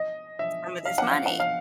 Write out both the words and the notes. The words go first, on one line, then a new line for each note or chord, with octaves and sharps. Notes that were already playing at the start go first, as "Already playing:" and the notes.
some of this money
Already playing: D#5
E5
F5
F#5
F5
F#5
F5